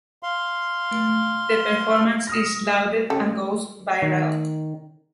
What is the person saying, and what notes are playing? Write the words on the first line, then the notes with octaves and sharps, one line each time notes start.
The performance is lauded and goes viral.
F5 C6
D#6 F6 A#6
C#3 G4 A4
D#3